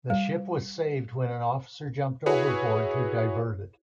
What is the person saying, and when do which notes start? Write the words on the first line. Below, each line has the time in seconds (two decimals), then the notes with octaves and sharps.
The ship was saved when an officer jumped overboard to divert it.
0.10 G3
2.26 E4 F#4 G#4 B4 C#5